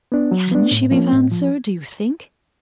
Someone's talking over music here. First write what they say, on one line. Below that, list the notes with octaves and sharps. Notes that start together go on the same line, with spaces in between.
"Can she be found, sir, do you think?"
B3 D4
F#3
B3 D4
A2
F3 A#3 C#4
A2
F3